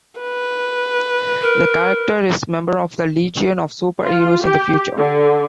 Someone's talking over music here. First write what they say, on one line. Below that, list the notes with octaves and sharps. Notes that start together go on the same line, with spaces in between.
The character is a member of the Legion of Super-Heroes in the future.
B4
A#4
F4
G4
D3